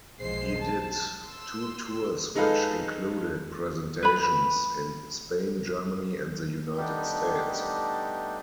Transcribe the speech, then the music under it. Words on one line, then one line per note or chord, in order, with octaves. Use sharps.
He did two tours which included presentations in Spain, Germany, and the United States.
B1 E2 F3 G#3 C5 C7
A5
C6 E6
G#3 D#4 A4 B4 F5
B4 B5
G3 A3 B3 D4 D#4 G4